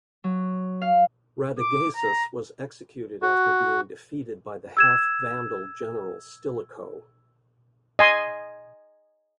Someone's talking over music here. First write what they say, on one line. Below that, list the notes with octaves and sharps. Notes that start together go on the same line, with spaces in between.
Radagaisus was executed after being defeated by the half-Vandal general Stilicho.
F#3
F5
D6
A#5
F#4
E6 G#6 E7
D#5 G#5 C6